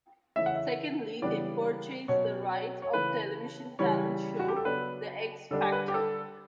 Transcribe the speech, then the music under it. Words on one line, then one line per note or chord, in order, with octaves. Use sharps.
Secondly they purchased the rights of television talent show The X Factor.
C#3 E3 A3 C#4 E5
F#5
E5
C#3 E3 G3 B3 D4 D5
B2 F#3 C#4 C#5
C#5
C#3 E3 A3 C#4 B4
C#3 E3 G3 C#4 C#5
F#4
G4
A4
C#3 F#3 B3 D4 B4
D3 G3 D4 A4
G4
B4
G4
A4